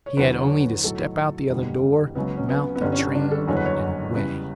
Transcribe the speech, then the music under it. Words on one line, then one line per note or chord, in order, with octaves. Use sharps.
He had only to step out the other door, mount the train, and away.
C#5
E2 D3 F#3 B4
C#5
B4
B1 A2 F#3 A4
F#1 E2 D3 G3
C#2 C#3 F#3 B3
C#4
B3
B3
G1 G2 D3 G3 C#4
C#4
D4
D4
A4
F#1 E2 D3 F#3 C#5
B4
C#5
E2 C#3 G3 B4